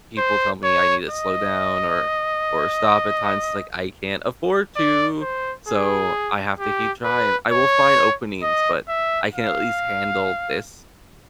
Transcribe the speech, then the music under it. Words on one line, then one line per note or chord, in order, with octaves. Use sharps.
people tell me I need to "slow down" or or "stop" at times. It's like, "I can't afford to," so I have to keep trying. I will find openings, but I can, at least, handle this
C5
C#5
D#5
D5
C5
G#4
G4
B4
C#5
D#5
E5
F5